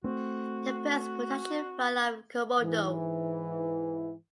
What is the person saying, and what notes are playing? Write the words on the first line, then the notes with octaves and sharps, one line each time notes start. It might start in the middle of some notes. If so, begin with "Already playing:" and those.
The first production run of Komodo.
A3 C4 F#4
G#2 E3